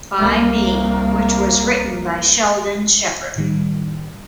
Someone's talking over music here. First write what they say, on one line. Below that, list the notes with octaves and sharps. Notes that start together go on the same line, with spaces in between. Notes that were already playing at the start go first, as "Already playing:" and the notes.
By Me, which was written by Sheldon Sheppard.
C2 A#3
A2 D#3 G3